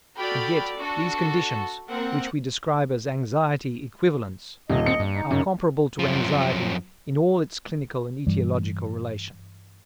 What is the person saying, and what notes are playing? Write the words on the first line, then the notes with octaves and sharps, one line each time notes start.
And yet these conditions, which we describe as "anxiety equivalents," are comparable to anxiety in all its clinical and etiological relations.
F#4 A4 D5 G5 B5 F6
D4 F#4 A4
A#3 C4 A#4 F#5
D#1 C3 D#5
C4 C#7
G2
D#4
F#2 C#3
F#2 F3
G2 E3 G3